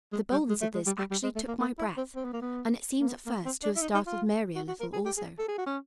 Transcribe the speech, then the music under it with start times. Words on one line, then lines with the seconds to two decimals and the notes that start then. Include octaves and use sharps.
The boldness of this actually took my breath, and it seems at first to have startled Mary a little, also.
0.12 G#3
0.31 G3
0.49 G#3
0.62 A3
0.74 G#3
0.87 G3
0.99 G3
1.11 G3
1.23 G#3
1.36 A3
1.48 A#3
1.60 A#3
1.78 E4
1.97 C4
2.15 C4
2.25 B3
2.33 A#3
2.42 B3
3.00 A#3
3.08 B3
3.26 A#3
3.45 C4
3.63 D4
3.76 E4
3.82 D#4
3.94 D#4
4.06 F4
4.56 F#4
4.68 F#4
4.80 A#4
4.93 G#4
5.05 G4
5.17 G#4
5.39 A4
5.48 G#4
5.58 F#4
5.66 C#4